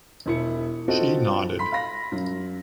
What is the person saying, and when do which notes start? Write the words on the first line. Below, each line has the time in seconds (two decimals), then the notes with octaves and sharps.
She nodded.
0.26 E1 E4 C#7
0.88 C4 D#4 F4 F#4 A4
1.59 B5 C6 B6
1.72 F5 B5 A#6
2.12 F#2